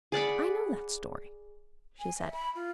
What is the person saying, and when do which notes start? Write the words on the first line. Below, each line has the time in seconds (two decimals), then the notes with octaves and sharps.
"I know that story," she said.
0.12 G#4 D5 F#5 B5
1.99 G#5
2.19 E5
2.33 B5
2.55 F4